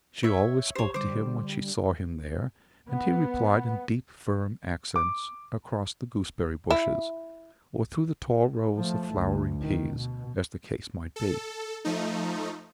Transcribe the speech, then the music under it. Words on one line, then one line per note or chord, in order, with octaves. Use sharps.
She always spoke to him when she saw him there, and he replied in deep, firm accents across the gooseberry bushes, or through the tall rows of flowering peas, as the case might be.
C#5 E5
A#1 G4 C5 C#5
D3 G3 C5 D6
B3
D6
E4
F3 A3
D2
D#3
B2
A4
F3 A3 D#4